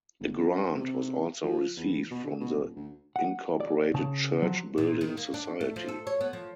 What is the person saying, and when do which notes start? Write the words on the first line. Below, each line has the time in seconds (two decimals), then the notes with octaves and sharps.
A grant was also received from the Incorporated Church Building Society.
0.20 G1
0.38 F#2
0.75 C3
1.43 F3
1.77 E2
2.11 B2
2.25 D3
2.40 B2
2.58 D#1
2.76 D2
3.16 F#5
3.60 D5
3.94 C#3 A5
4.42 F3 F#3
4.78 A#2
5.01 D#3
5.17 A#3
5.34 D4
5.61 A3
5.76 F3
5.88 A4
6.07 C#5
6.21 B3
6.33 F3